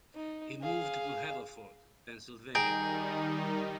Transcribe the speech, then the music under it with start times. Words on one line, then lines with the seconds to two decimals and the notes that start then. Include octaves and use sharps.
He moved to Haverford, Pennsylvania.
0.15 D#4
0.61 G#4 F5
2.55 D#3 G3 D#4 G#4 G5 A#5